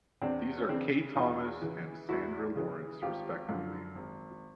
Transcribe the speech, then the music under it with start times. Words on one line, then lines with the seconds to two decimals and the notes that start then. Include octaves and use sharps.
These are Kay Thomas and Sandra Lawrence respectively.
0.22 E2 C4 D4
0.58 C#4
0.68 C#3 E3 C4 D4
1.15 E2 D#4 F4
1.62 C#3 E3
2.09 E2 E4 F#4
2.55 C#3 E3
3.02 G#1 F4 G4
3.49 F#2 D3 F3
3.95 G#1